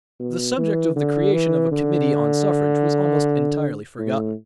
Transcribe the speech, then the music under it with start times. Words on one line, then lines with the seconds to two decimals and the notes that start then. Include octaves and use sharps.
The subject of the creation of a committee on suffrage was almost entirely forgotten.
0.19 B2
0.58 E3
0.96 D3
1.33 E3
1.71 D3
3.98 A2